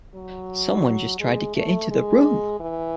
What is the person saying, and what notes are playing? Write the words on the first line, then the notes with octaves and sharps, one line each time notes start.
Some one just tried to get into the room!
F#3
G#3
A3
G#3
E3